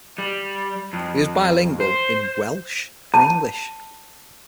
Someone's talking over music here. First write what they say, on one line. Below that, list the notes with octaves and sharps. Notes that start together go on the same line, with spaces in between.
He was bilingual in Welsh and English.
G3
F2
C5
A5